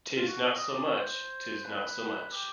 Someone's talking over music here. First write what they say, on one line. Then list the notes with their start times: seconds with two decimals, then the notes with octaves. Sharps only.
'Tis not so much, 'tis not so much!
0.17 F4
0.28 F#4
0.54 D#5
0.68 D5
0.82 C#5
0.96 C5
1.64 B4
2.32 G4